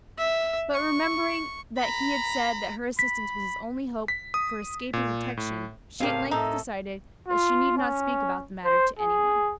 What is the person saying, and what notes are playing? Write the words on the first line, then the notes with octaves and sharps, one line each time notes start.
But remembering that he had said that her assistance was his only hope for escaping detection, she at length decided that she need not speak about the matter to any one.
E5
C#6
A#5 B5
B5 B6
B6
D#6
A#2
A2
A2 C#3 C4 G4 A#4 F5
A2 D#4 A4
F4
C#4
C5
G#4